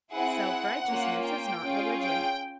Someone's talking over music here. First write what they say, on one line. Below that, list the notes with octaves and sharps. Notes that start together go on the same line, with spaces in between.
Self-righteousness is not religion.
C4 E4 G#4 F#5
A#3 C#4 F4
G5
C#4 F4 G#4
G5